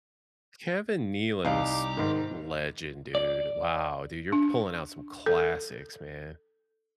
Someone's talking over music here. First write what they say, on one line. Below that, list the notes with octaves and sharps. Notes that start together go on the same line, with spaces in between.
Kevin Nealon was legend, dude. Wow, dude, you're pulling out some classics, man.
C2 D#4 G4 D5 D#5 F5 A#5 D6
G#2 D#3
D5
D4
A4